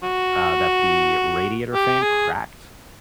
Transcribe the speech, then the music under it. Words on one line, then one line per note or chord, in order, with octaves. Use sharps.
uh, that the radiator fan cracked,
F#4
G4
G#4